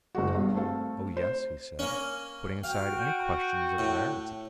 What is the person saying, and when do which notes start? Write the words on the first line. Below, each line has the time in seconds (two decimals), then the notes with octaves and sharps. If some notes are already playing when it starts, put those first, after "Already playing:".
"Oh yes," he said, putting aside any question of rarity....
0.15 F#1 G#3 F#4
0.35 G2 B2
0.54 A3 C4 A4 F5
1.17 C5
1.79 A#3 C#4
2.64 F#4 F5 G5
3.79 A2